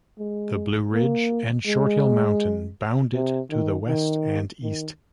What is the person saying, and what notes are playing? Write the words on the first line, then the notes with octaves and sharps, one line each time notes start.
The Blue Ridge and Short Hill Mountain bound it to the west and east.
G#3
A#3
G#3
C3
D#3
D#3
D#3